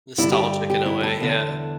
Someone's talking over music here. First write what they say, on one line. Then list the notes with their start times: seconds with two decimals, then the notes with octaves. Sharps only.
Nostalgic in a way, yeah.
0.18 G2 D3 E4
0.32 G4
0.43 G4
0.70 G4
0.86 E4
1.03 A4
1.20 E2 D3